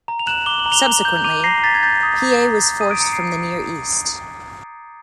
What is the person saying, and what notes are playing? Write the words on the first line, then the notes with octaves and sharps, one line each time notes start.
Subsequently, Piye was forced from the Near East.
A#5
F7
F#6 E7 F#7
D6 G7
F#7
A#5
F7 G7
A#5
G6
D6 D#7 F7
A#5 A#6 C7
A#5 A6 B6
G#6
G6 A6
D#6
A#5
A#5
G6
D#6 D#7
D7
A#5 C#7
C7 D7
A#5